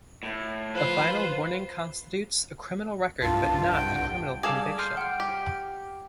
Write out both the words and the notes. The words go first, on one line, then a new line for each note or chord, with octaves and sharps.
A Final Warning constitutes a criminal record but not a criminal conviction.
A2
F3 F4 B4 C5
C2 G2 F4 A5
F#5 G5
G3 G#4 A4 F5 D6 G#6 E7
C6 F6 G6
F#5 G5 F6
G4